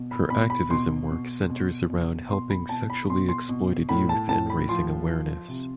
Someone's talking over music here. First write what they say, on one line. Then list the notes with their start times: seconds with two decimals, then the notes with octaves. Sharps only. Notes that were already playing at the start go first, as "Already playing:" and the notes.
Her activism work centres around helping sexually exploited youth and raising awareness.
Already playing: B2
0.11 B5
0.30 B2 B5
0.50 B5
0.71 B2 C6
1.11 B2
1.50 B2
1.90 B2
2.30 B2 C6
2.50 B5
2.69 B2 A5
2.90 B5
3.10 B2 C6
3.29 C6
3.49 B2
3.89 A2 B5
4.09 A5
4.29 A2 A5
4.50 B5
4.69 F3 C6
5.09 F3
5.48 C3